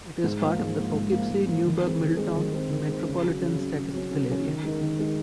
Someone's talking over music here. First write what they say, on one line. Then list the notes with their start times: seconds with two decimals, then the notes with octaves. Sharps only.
It is part of the Poughkeepsie-Newburgh-Middletown Metropolitan Statistical Area.
0.24 G#2
0.42 F3 A#3
0.59 G#2
0.77 F3 A#3
0.94 G#2
1.12 F3 A#3
1.30 G#2
1.47 F3 A#3
1.65 D#3
1.82 G#3 C4
2.00 D#3
2.17 G#3 C4
2.35 D#3
2.53 G#3 C4
2.70 D#3
2.88 G#3 C4
3.06 C#3
3.22 F#3 C#4
3.41 C#3
3.58 F#3 C#4
3.76 C#3
3.93 F#3 C#4
4.11 C#3
4.28 F#3 C#4
4.46 D#3
4.63 G#3 D#4 A#4
4.81 D#3
4.99 G#3 D#4 A#4